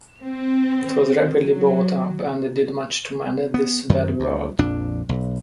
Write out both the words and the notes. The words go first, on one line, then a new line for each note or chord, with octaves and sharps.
It was rapidly bought up and did much to mend this bad world.
C4
F#3
B3
F#2 D#3
D2
A#1 F2 D4
B1